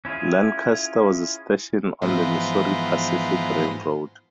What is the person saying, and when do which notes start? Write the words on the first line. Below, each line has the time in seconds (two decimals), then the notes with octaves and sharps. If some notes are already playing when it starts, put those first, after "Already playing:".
Lancaster was a station on the Missouri Pacific Railroad.
0.05 C#4 E4 F4 G#4
2.02 G#2 E3 F3 B3 C5 A#5